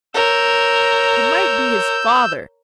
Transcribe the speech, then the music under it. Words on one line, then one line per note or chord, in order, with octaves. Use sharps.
It might be his father!
A#4 C#5 E6 G6